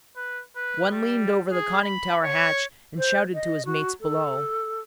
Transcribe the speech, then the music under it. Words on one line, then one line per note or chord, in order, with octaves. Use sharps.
One leaned over the conning-tower hatch and shouted to his mates below.
B4
B4
G3
G#4
B5
C#5
C5
D#5
F#4
A4